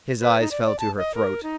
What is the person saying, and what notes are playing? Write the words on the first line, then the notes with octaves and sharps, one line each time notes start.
His eyes fell to her throat.
B4
D#4
D5
D5
A5
D#5
A#4
D#4